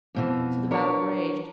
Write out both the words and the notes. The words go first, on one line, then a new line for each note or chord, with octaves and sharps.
So the battle raged.
F2 B2 E3
D4 F#4 A#4 B4 C#5